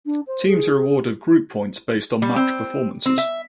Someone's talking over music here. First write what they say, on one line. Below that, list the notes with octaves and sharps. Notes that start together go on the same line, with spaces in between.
Teams are awarded group points based on match performances.
D4
C5
G#4
G3
C4
C4
E5